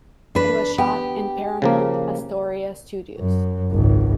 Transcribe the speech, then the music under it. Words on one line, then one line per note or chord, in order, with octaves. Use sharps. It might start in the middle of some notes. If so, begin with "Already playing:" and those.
It was shot in Paramount Astoria studios.
D4 B4
B3 G4
C#3 F3 A#3
F#2
G#1 C#2